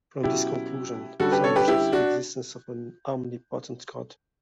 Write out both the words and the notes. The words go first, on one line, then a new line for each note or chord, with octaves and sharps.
From this conclusion, some reject the existence of an omnipotent God.
B2 F#3 C#4 E4 G4
D3 G3 C#4 F#4 A4
G4 B4
A4 C#5
G4 B4
E4 G4
D4 F#4